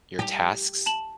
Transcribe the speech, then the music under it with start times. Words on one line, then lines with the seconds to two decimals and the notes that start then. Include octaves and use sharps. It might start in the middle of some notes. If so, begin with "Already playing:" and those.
your tasks.
0.19 G4
0.86 A5 E7 F#7